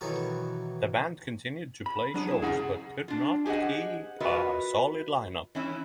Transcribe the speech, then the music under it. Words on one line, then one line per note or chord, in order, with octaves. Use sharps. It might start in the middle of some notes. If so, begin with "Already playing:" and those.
The band continued to play shows but could not keep a solid line up.
B2 D#3 E3 F#3 F#4 A4
B5
F#3 D4 G#4
E4 G#4
C#2 A#2 C#3 G#4 F#5
D4 F4
G4 G#4 C5 D#5 F#5
F4 F#4 A#4 B4 D#5 E5
E3 C#4 E4